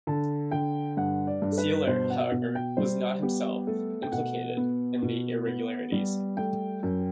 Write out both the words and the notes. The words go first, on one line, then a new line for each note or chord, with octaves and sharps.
Seeler, however, was not himself implicated in the irregularities.
D3 A5
D3 G5
G2 F#5
D5
G2
A4
B4
B2 C5
F#5
B2
G5
G3 C5
B3 G4
A3 A4
G5
B2 F#5
B3
B2
B3
G3
A3 G5
F#2